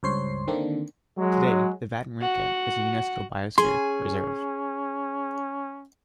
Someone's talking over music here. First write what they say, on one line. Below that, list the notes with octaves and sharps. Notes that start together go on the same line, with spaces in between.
Today the Vattenriket is a Unesco biosphere reserve.
C#2 G2 C5 C#5 C6 C7
D3 D#3 A#3 C4 D4
F#3 G#3
F#4 F#5
C#4 G#4 G#5 C6